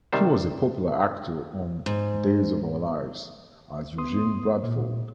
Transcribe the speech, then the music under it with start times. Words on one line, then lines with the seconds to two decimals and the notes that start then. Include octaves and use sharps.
He was a popular actor on "Days of Our Lives" as Eugene Bradford.
0.13 C3 D#3 G3 C5
1.86 G#2
3.98 B3 C6 D#6
4.63 A#2